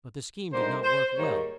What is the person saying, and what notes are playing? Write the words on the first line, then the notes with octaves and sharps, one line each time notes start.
But the scheme did not work well.
D3 G3 A#3 D#4 C5
C5
G#2 D#3 G3 A#3 D#4 C#5